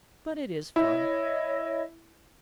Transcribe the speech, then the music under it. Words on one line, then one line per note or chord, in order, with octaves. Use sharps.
But it is fun.
E4 C#5 D#5